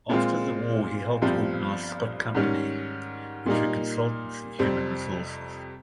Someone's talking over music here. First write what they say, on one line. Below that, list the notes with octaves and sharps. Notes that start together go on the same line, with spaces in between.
After the War he helped organize Scott Company, which were consultants in human resources.
A#2 G#3 C4 F4
G1 G2 F3 C4 G4
G#2 D#3 G3 C#4
A#2 G3 A#3 D#4
F2 C3 G3 C4